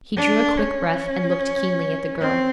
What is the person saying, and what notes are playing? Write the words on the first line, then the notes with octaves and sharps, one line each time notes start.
He drew a quick breath and looked keenly at the girl.
D4
C#4
C4